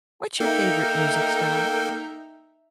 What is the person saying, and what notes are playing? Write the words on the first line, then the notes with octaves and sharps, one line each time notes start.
What's your favorite music style?
A#3 D#4 A4 A#4 E5 G5